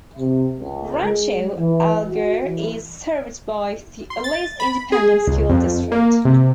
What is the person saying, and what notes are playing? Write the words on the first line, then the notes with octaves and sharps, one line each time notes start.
Rancho Alegre is served by the Alice Independent School District.
C3
C#2
G#3
E3
F#4
E3
C6
A6
B5
G#4
C#2
F2
A#3
C3